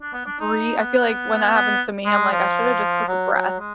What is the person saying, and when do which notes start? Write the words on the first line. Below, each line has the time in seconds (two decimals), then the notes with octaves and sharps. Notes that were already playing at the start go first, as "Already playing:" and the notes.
brea I feel like when that happens to me, I'm like I shoulda just took a breath
0.01 D4
0.13 B3
0.26 D4
0.39 D#4
0.77 B3
1.54 B3
2.05 G#3
2.31 F3
3.08 F#3
3.33 F#3
3.59 G#3